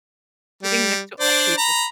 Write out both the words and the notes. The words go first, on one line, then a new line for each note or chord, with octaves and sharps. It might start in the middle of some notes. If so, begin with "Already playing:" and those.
Sitting next to old people.
G3
D4 C5 D5
A#5 B5